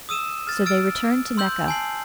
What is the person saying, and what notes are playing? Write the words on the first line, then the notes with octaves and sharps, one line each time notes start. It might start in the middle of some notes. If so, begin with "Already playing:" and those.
So they returned to Mecca.
D#6 E6 D#7 E7
F6 A6
E6 F6 A6 D7
C6 E6 G6 F#7
G#5 A5 C7 F#7